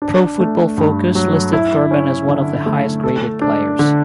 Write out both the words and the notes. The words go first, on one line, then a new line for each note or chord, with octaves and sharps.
Pro Football Focus listed Thurman as one of the highest graded players.
D4
A3
G2
F#3
E4
C#4
D3
A3
A4
D4
D3